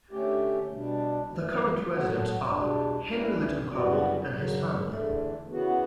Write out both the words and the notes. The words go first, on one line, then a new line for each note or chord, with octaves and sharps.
The current residents are Henry Lytton-Cobbold and his family.
D3 A3 C#4 G4
B2 G3 D4
F#2 E3 A3
F#3 B3 F#4 A4
E2 B2 G3 D4
G3 C#4 E4 B4
F#2 E3 G3 B3 F#4
F#2 C#3 F#3
E2 D3 A3
C#3 E3 B3 F#4